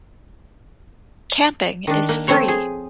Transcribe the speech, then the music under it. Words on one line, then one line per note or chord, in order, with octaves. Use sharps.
Camping is free.
D#3 D4
A#3
F3 A3 C4 C5 C#5
G#4